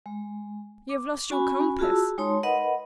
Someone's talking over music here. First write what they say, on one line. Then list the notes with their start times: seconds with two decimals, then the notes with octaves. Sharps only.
You have lost your compass!
0.06 G#3
0.89 D6
1.30 C#4 F#4 G#5 B5
1.79 F4 F#4 G#4 A5 E6
2.18 G#3 D#4 C#5 A5 C6
2.43 A#4 B4 D#5 F#5 B5